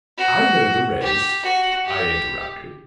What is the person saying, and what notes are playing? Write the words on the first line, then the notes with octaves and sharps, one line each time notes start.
"I know the rest," I interrupted.
F#4
G4
F#4
G4